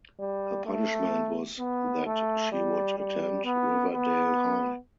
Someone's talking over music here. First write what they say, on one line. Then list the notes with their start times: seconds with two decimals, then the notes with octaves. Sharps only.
Her punishment was that she would attend Riverdale High.
0.19 G3
0.65 A3
1.59 B3
2.06 A3
2.52 G3
2.98 G3
3.44 B3
3.92 B3